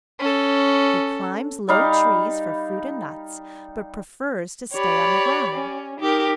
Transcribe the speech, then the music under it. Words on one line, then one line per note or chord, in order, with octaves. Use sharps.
He climbs low trees for fruit and nuts, but prefers to stay on the ground.
C#4 A4
G3 D#4 F5
G4 C#5 D5 B5
C#4
D#4 G4 A#4